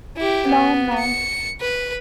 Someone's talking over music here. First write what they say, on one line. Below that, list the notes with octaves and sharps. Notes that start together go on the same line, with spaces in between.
Law no.
E4 G4
B3
C#7
B4